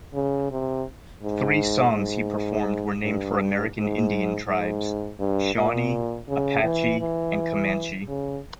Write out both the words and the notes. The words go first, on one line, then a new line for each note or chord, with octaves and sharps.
Three songs he performed were named for American Indian tribes: "Shawnee", "Apache", and "Comanche".
C#3
C3
G#2
G#2
G2
G#2
G#2
G2
A#2
C#3
E3
E3
C#3